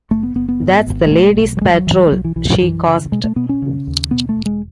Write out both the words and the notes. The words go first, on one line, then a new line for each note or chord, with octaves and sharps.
"That's the laddies' patrol," she gasped.
F#1 A3
B3
F#1 B3
B3
G#2
G#1
G#3
B2 A3
B1
F#3
E1 G#3
F#3
E1 E3
F#3
G#3
B1 F#3
E3
B1 E3
F#3
F#2 E3
C#3
B2 G#3
A3
B2 B3
C#4
C#3
D#2
B2 B3
A3
E1
G#3